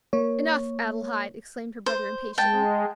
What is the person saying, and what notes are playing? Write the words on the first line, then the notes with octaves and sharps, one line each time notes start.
"Enough, Adelaide!" exclaimed her brother, impatiently.
A#3 C#5
C5
G#3 G5 A5